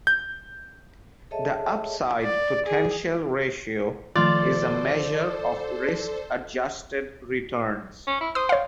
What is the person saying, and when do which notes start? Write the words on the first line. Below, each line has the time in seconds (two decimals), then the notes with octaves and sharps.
The Upside-Potential Ratio is a measure of risk-adjusted returns.
0.07 G6
1.31 G#4 A4 C#5 D#5 E5 A5
2.23 D5
2.66 G#4
4.16 D#3 F3 A3 F4 A4 C5 D5
8.07 C#4
8.20 E4
8.35 C5 D#6
8.49 C#5 F5